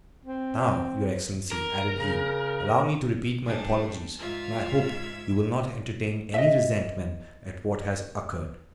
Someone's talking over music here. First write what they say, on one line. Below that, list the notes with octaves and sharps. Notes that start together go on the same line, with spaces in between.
"And now, your excellency," added he, "allow me to repeat my apologies, and I hope you will not entertain any resentment at what has occurred."
C4
A#4
C#3
G3 D4 G#4
G#2 F4 E5 F5 G#6
D#5 E5